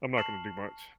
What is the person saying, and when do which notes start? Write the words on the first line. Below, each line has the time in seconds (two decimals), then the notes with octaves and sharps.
I'm not gonna do much.
0.17 A5 C#6 F6 C7 E7 F#7